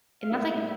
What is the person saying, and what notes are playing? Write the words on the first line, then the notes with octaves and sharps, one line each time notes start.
And that's like
F5
A2 G3 A#3 D4 F4 E5